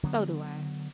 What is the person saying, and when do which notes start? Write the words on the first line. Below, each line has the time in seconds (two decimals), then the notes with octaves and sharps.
So do I.
0.03 D3 F#3 B3